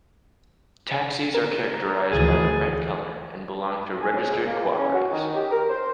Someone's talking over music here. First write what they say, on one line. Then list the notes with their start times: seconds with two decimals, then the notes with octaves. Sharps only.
Taxis are characterized by their red color and belong to registered cooperatives.
1.34 A#4
1.74 A#5
2.12 D2 E3 F3 G#4 A6
4.01 G#5
4.14 C#4
4.28 C#2
4.46 A#3
4.63 E3
4.77 C#4
4.93 F#4
5.12 D#3
5.35 G4
5.50 A#4
5.69 C5